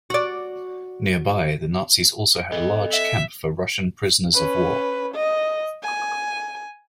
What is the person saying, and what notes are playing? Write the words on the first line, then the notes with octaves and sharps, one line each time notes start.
Nearby, the Nazis also had a large camp for Russian prisoners-of-war.
F#4 D5
A4 D#5
E5
C#4 B4
D#5
G#5